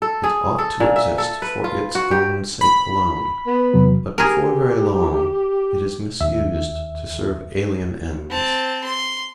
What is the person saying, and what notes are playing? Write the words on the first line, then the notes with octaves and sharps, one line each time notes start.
It ought to exist for its own sake alone, but before very long it is misused to serve alien ends.
A4
G#4
A4
A#2
E5
A4
B4
F4
F#4
G4
B5
B3
E2 C3 F#3
G4 G#4 A#4
D#2 E5
C4 A5
C6